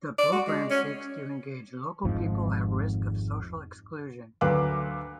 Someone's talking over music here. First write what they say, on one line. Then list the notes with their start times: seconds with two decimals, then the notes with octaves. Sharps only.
The programme seeks to engage local people at risk of social exclusion.
0.18 D5
0.32 F#4
0.47 G#3
0.70 C#4
2.05 G#1 F2 G#2 F3
4.41 D2 F#3 B4 F5 D6 F#6